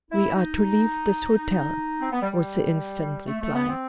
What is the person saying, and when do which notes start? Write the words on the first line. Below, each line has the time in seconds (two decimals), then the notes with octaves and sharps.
"We are to leave this hotel," was the instant reply.
0.11 E4
0.33 D#4
2.01 C4
2.12 B3
2.22 G3
2.32 G3
3.26 A3
3.41 A3
3.54 B3
3.68 C4